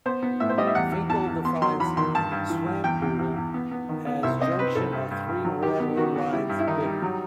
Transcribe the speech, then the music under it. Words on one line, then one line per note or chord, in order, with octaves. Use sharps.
Finkel defines Swampoodle as Junction of three railroad lines, vic.
B3 C5
B3
A2 E5
C5
G3 D#5
E5
E2 F#5
E2
E2 A5
E2
B3 C6
F#3 C6
E2 B5
D#3 C6
G2 A5
G2
E3
G2
E2 G5
E2
E2
E2
B3
B3
D#3
B3
C2 E5
C4 D#5
C4 B4
C2 A4
G2
G2
G2
F#3
D#3 G4
B3
D#3 F#4
B3
G3 E4
G2
E4
D#3 D#4
G3
F#3